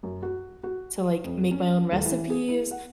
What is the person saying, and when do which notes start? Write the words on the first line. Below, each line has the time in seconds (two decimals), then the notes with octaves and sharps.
to, like, make my own recipes,
0.03 F#2
0.23 F#4
0.63 F#4
1.24 F2
1.51 C#4
1.92 D#1
2.05 E3
2.30 G#4
2.48 E4
2.71 F#5